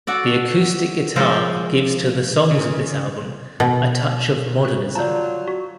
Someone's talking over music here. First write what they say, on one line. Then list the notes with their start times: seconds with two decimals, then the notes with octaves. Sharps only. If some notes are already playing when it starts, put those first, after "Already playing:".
The acoustic guitar gives to the songs of this album a touch of modernism.
0.07 F#4 A4 D5
1.16 F3 G#3 A4 A#4 C5
2.51 C#3
3.60 B2
4.65 F#4 F#6
4.95 F#3 F4 D5 A5 A#5 G6
5.48 F#4